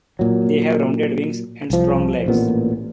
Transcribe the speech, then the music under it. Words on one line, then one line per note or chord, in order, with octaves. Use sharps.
They have rounded wings and strong legs.
A#2 F#3
C2 F3
A1 A#2 B3